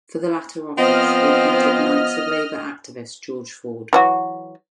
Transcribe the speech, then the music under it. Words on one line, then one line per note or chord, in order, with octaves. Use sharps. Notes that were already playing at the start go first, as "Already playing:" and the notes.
For the latter office, he appointed Knights of Labor activist George Ford.
F3 B3 C4 D#5 F6
E3 F#3 F#4